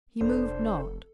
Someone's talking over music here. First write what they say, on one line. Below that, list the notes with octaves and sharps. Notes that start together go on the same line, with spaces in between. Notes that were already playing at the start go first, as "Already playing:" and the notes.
He moved not.
F1 D4 A4 C5